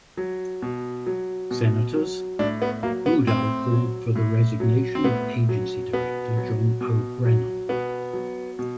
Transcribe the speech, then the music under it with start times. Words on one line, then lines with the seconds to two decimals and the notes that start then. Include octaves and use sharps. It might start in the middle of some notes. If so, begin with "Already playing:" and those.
Senators, Udall called for the resignation of Agency Director John O. Brennan.
0.17 F#3
0.62 B2
1.06 F#3
1.51 B2
1.95 F#3
2.39 A2 D4
2.62 B3
2.83 F#3 A#3
3.06 B3
3.27 A2 C4
3.72 F#3
4.15 A2
4.60 F#3
4.95 C4
5.04 A2 B3
5.49 F#3
5.93 B2 B3
6.37 F#3
6.81 B2
7.25 F#3
7.69 B2 B3
8.13 F#3
8.59 B2